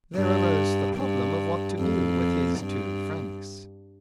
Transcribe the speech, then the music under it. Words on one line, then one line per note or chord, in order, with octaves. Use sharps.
There arose the problem of what to do with his two francs.
G2
G2
F2
G2